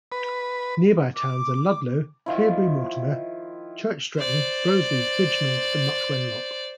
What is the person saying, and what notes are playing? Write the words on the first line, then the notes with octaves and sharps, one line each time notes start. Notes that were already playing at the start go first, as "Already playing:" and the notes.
Nearby towns are Ludlow, Cleobury Mortimer, Church Stretton, Broseley, Bridgnorth and Much Wenlock.
B4
D6
D#3 F3 E4
C5 D5